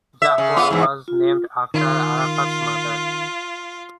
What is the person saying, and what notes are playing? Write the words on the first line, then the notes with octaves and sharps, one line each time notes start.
Zahwa was named after Arafat's mother.
E5
C#3
B3 F4
E2 G#2 E3
F4
D#3 F4